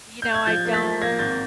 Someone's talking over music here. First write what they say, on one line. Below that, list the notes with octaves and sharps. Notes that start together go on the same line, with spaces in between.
you know, I don't
G6
G#6
F3 G6 A6
A#3
A6 B6
F3
A#3 G#6 A#6
G#1 G6 A6